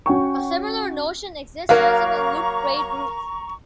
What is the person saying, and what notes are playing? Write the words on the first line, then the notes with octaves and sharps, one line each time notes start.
A similar notion exists using a loop braid group.
C#4 F#4 G5 C#6
F#3 A#3 A#4 F5 A#5 C#6